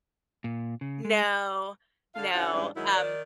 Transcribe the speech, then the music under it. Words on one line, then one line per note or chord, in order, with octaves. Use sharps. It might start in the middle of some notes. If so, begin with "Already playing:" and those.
No, no, um
A#2
C#3
G#3
D3 A4 F5
D3 C#4 E4 F#4 F#5
G#2 E3 G3 C#4 D4
D#3 F#3 G#3 E4
D#3 D5